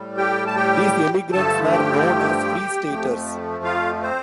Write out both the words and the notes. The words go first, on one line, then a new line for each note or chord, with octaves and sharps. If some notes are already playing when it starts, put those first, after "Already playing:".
These emigrants were known as Free-Staters.
Already playing: A2 G3
G4 G5
A5
G4 G5
G2 D3 F3 A3 A4 A5
G4 G5
F2 F3 A3
F4 F5
C4 C5